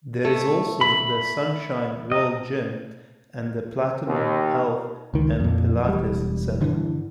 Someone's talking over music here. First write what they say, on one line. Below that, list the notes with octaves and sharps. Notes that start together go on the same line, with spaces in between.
There is also the Sunshine World Gym and the Platinum Health and Pilates centre.
A3
B5
D#5
D#2
C#2 D#3
F2 A#2
E1 G3
G2 D3 E3